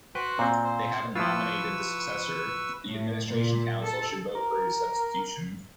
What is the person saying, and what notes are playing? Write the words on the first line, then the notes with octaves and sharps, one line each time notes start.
They haven’t nominated the successor; the administration council should vote for his substitution.
F#4 B4 C5 G5 F#6
A#2 C4
C5
F3 E4 F4 B4 C#6 E6
A2
A#2
A4
A#4